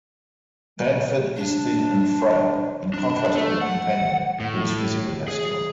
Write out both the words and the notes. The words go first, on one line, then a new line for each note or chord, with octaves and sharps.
Banford is thin and frail, in contrast to her companion who is physically masculine.
D4
D4
A3
F#5
A2
G#4